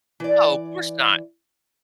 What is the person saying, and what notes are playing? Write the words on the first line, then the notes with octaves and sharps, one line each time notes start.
Oh, course not.
E3 D5